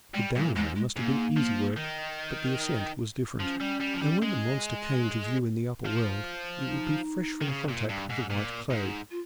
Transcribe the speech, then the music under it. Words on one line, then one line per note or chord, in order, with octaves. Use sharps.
The downway must have been easy work, but the ascent was different, and when the monster came to view in the upper world, it would be fresh from contact with the white clay.
G3 G#3
A#2 G3
G#2 G#3
G#3
G#2 A#3
F3
D#3
F3 C#4
G3
G3
F3
G3
G#3
F3
D#4
D#3
C#3
A#2
G2
G#2
A#2
G#2
F4